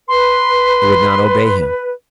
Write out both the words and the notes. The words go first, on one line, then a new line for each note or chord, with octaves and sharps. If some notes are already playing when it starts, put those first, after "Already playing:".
It would not obey him.
B4 C6